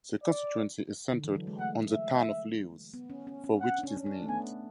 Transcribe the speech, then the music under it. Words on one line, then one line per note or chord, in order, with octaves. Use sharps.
The constituency is centred on the town of Lewes, for which it is named.
D5
D3
E3
F#3
G#3
A3 F#5
E5
B3
C#4
C#4
C#4
F#5
D4
C#4
C#4
D4
A3
B3 G#5